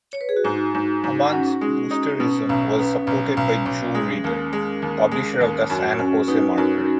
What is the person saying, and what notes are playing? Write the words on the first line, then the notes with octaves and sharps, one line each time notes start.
Hamann's boosterism was supported by Joe Ridder, publisher of the "San Jose Mercury".
C#5
B4
G#4
F#4
G#2 D#4
G#2
G#2
C#4 F#4
G#3
D#4
B2 C#4
B1
B3
B1
B1
B1
G#3
D#2
G#3
D#2
G#3
D#2
F#2 F#4
F#2 C#4
B3 D#4
F#2 F#4